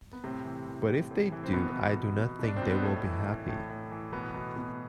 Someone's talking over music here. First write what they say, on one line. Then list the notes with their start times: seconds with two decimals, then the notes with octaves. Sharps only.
But if they do, I do not think they will be happy.
0.13 B3
0.24 A2 C3 C4
0.45 E3
0.68 E3
0.89 A2
1.11 A2
1.32 E3
1.43 C4
1.53 B2 B3
1.76 B2
1.97 B2
2.18 B2
2.39 B2 D4
2.56 C4
2.62 B2
2.70 B3
2.82 A2 A3
3.05 E3
3.26 E3
3.48 A2
3.69 A2
3.91 E3
4.12 B2 B3
4.34 B2
4.56 B2